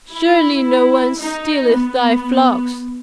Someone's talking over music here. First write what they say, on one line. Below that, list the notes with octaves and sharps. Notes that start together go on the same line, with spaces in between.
Surely no one stealeth thy flocks?
E4
D#4
B3